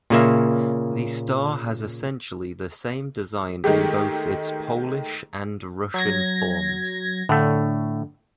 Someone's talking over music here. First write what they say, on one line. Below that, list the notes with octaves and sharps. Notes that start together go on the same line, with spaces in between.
The star has essentially the same design in both its Polish and Russian forms.
A#2 C#3 A#3 E5
D#3 G#3 A3 G4
F#3 G#6 A#6
A2 D3 A3